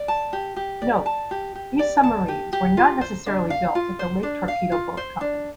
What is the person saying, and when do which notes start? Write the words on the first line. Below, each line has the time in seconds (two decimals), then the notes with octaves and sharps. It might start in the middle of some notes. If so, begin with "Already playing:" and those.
Note - these submarines were not necessarily built at the Lake Torpedo Boat Company.
Already playing: D5
0.08 A5
0.33 G4
0.57 G4
0.82 D5
1.06 A5
1.31 G4
1.55 G4
1.79 D5
2.04 A5
2.28 G4
2.53 G4
2.77 F4
3.01 C5
3.26 D4
3.50 F5
3.75 F4
3.99 C5
4.23 D4
4.48 F5
4.72 F4
4.97 C5
5.21 D4